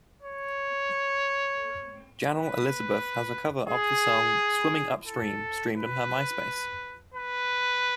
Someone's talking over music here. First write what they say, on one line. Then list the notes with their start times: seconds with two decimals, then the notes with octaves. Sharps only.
Janel Elizabeth has a cover of the song "Swimming Upstream" streamed on her Myspace.
0.22 C#5
2.30 B4
3.69 G#4
5.06 A4
5.75 B4
7.14 B4